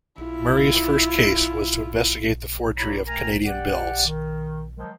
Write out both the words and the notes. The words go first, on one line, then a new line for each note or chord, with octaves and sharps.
Murray's first case was to investigate the forgery of Canadian bills.
E4 F4
C2 E4 G4 C#5 A#5 B5
A3 A#4 G5 G#5 A#5
G4 D5 F#5
D#3
D#3 F3 F#3 G#3